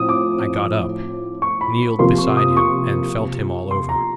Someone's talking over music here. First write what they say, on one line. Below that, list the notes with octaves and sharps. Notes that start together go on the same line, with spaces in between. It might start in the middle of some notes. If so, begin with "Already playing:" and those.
I got up, kneeled beside him, and felt him all over.
Already playing: A2 F3 C4 D#6
D6
C#6
B5
C3 F3 A#3 C6
C#6
D#6
C#6
C6
A#5